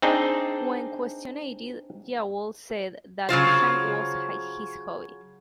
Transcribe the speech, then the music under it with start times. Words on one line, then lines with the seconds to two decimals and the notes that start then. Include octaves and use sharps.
When questioned, Diawol said that junk was his hobby.
0.02 C4 D4 D#4 G#4
3.29 C#3 F#3 F4 C5